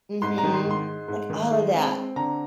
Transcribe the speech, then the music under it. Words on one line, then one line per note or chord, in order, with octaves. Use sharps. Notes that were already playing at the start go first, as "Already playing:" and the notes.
Mhm. Like, all of that.
G#2 C6
A#5
D#3
C6
G#2
C6
G#3
G#2
D#3
G#3
C4
C4
D3 A#5